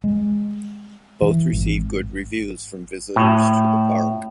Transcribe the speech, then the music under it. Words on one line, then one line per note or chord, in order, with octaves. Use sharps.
Both received good reviews from visitors to the park.
G#3
E3
G#1
A2